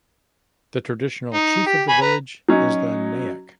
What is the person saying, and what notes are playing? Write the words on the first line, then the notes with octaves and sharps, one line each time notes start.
The traditional chief of the village is the "Naik".
D#4
G4
G#5 B5
B4 A#5
F#3 C#4 D#4